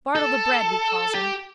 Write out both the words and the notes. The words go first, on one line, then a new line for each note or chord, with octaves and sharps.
Bartle the Bread we calls him.
A4
G4